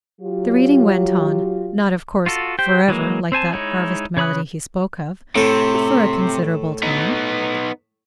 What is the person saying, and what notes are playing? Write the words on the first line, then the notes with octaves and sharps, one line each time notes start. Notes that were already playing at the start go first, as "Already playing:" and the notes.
The reading went on, not of course "for ever," like that harvest melody he spoke of, but for a considerable time.
F#3 F4 G4
F4 F#4 A4
G4 C5 G5
E3 F#3 G#3 A#3
C4 C5 G#5 A5
G#3 D#4 E4 C#5
C#3 C#5 B5 D#6 F#6
A2 C3 A4
B3 D#4